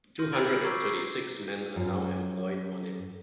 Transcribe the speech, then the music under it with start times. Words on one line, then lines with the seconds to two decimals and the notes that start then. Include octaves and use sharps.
Two hundred and thirty-six men are now employed on it.
0.19 C6 F6 G6 A#6 D#7
0.33 A#5 B5 G#6 A6 D7 F#7
0.47 E6 A6 C7
0.61 A#5 C#6 D6 E6 B6 C7
0.77 G6 B6
1.76 F#2